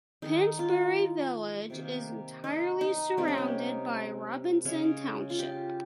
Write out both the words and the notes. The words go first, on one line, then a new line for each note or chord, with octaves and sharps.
Pennsbury Village is entirely surrounded by Robinson Township.
D#3 G#3 D#4
F4
C3 D#3 A#3
D#4
D#4
C3 G3 A#3 D#4
C#4
D#4
C#3 G#3 C#4
F4
G4